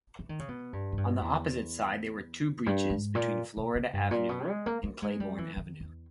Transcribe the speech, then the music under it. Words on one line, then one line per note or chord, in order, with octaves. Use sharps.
On the opposite side, there were two breaches between Florida Avenue and Claiborne Avenue.
E3
D#3
C#3
B2
G2
G#2
G2
E2
G2
G#2
A#2
B2
C#3
G2
A#2
B2
G#3
A#3
A#3
G#3
G3
E3
D#3
E2